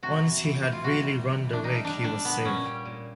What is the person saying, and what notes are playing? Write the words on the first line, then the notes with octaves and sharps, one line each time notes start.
Once he had really run the rig he was safe.
C3 F#4
E3
E3
E3
F4
C3 F#4
G3
C3
E3
D4
G3 D#4
G3 D4
G3 D4
A#2 B3
A#2 C#4
G3
A#2